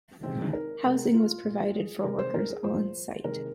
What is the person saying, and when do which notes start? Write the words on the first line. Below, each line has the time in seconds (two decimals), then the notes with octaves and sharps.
Housing was provided for workers on site.
0.23 C3 D#3 G#3 C4
0.38 D#4
0.53 A#4
0.84 C3 G#3
1.14 F4
1.43 A#2 G#3
1.74 G#4
2.04 C3 D#3 G#3 A#4
2.19 C5
2.34 A#4
2.49 G#4
2.64 A#2 F3 G#3 C5
3.24 C3 D#3 G#3 A#4